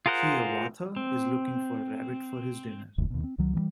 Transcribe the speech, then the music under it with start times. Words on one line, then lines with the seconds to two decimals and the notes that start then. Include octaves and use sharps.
Hiawatha is looking for a rabbit for his dinner.
0.06 F4 G#4 A#4 C5 F#5
0.96 C4
2.98 F1 D2 G#2
3.10 D#2 B2
3.24 C4
3.38 C#2 D#3 F#3
3.55 E3 F#3 G3